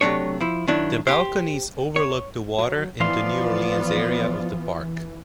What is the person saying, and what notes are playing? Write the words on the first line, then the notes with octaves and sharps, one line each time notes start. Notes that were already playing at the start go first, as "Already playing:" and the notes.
The balconies overlook the water in the New Orleans area of the park.
C3 F#3 A3 D4 C#5
F3 E4
D#3 F#3 D4 E4
G4 C5
C#5
F#3
E3 F3 B3 F4 D5 F5 C6